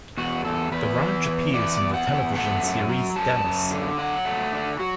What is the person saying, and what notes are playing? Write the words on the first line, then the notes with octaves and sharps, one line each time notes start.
The ranch appears in the television series "Dallas".
E2 F#4
E2 A4
E2 B4
E3
E2
E3 D5
E2
F#5
E2
A3 F#5
F#2
F#3
F#2 A5
F#2
D3
F#3 F#5
A3
D3
F#3 F#4